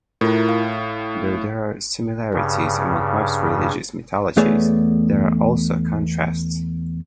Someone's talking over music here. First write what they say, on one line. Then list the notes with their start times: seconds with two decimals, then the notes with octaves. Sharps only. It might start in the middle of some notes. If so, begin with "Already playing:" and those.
Though there are similarities among most religious mythologies, there are also contrasts.
0.21 A2 E4 F4 A#4
0.49 F5
2.33 G2 C#3
4.37 E2 A3 B3 G#4 C#5 D5